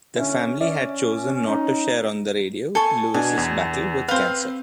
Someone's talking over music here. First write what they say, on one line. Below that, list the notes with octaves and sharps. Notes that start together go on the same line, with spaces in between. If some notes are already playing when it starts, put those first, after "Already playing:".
The family had chosen not to share on the radio Lewis' battle with cancer.
D3 C#4 E4
C#4 D5 E5
C#4 D#4
A4 G#5 C#6
B2 D4 G#5
E2
C4 B4 C5 F5